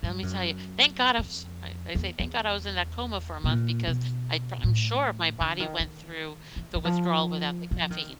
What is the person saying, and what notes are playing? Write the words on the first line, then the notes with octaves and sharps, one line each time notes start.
Lemme tell you, thank god I was I I say thank god I was in that coma for a month because I pr I'm sure my body went through the withdrawal without the caffeine.
G2
F#2
F2
E2
E2
B2
A#2
B2
A2
D3
D#3
D#3
E3
E3
F3
F3
D#3